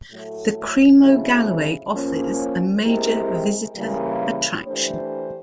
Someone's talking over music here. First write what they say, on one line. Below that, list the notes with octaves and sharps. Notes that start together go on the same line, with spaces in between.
The Cream o' Galloway offers a major visitor attraction.
A2 F#3 A3
C#3 F#3 A3 C4 E4
F3 A#3 C#4
G#3 C4 E4 G4 A#4
C#3 E3 G3 A#3
E3 A3 D4 G4 C5